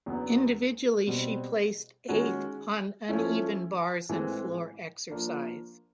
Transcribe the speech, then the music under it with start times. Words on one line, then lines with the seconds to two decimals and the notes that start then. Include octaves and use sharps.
Individually she placed eighth on uneven bars and floor exercise.
0.06 E2 C#3 F#3 B3 D4
1.07 B2 G3 C4
2.09 D#3 G#3 C#4 F#4
3.09 F3 A3 C#4 E4
4.09 A2 E3 G#3 C4
5.10 F3 A#3 D4